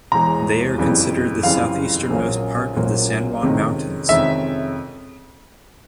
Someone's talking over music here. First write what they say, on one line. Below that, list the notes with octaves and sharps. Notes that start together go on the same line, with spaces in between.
They are considered the southeasternmost part of the San Juan Mountains.
E1 E2 B2 A#5
F#1 F2 C#3 E3 G3
F#1 F2 C#3 E3 G3 F5
A#1 A#2 F#3 A#3 C#4
A#1 A#2 F#3 A#3 C#4
F2 C3 D#3 G#3 C#4
F2 C3 D#3 G#3 C#4 E5